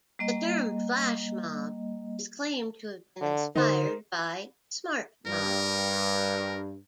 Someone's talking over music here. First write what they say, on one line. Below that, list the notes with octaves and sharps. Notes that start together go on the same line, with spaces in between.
The term "flash mob" is claimed to have been inspired by "smart mob".
G3 A#3 D#5
D3
D3 D#4 A#4 C5
G2 A#4